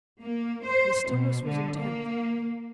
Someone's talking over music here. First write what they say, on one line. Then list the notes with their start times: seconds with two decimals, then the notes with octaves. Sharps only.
The stillness was intense.
0.21 A#3
0.64 C5
1.08 B2
1.44 D3
1.78 A#3